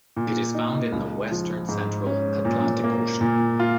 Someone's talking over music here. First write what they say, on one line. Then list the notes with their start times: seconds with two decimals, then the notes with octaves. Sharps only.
It is found in the western central Atlantic Ocean.
0.16 A#2
0.55 D#4
0.92 C#2
1.31 F3
1.69 G#2
2.07 C#4
2.45 A#2
2.84 A#3
3.21 A#2
3.60 F4